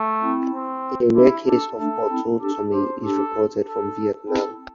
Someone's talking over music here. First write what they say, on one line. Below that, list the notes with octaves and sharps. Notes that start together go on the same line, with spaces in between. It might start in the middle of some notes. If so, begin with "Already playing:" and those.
A rare case of autotomy is reported from Vietnam.
Already playing: A3
C4 E4
C4
D4 E4 G4
D4 G4 A4
A3 D4 A4
C4 E4
D4 G4 A4
D4 G4 C5
D4 G4 A4
A4
C4 E4 A4